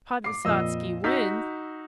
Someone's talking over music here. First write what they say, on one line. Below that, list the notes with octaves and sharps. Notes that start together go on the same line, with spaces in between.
Podvysotsky wins.
D6 C7
F2 A#2 D#5 E6
D#4 F#4 E6 G6 B6